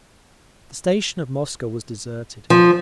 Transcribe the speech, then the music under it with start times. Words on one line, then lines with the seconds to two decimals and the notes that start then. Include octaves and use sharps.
The station at Moscow was deserted.
2.50 F3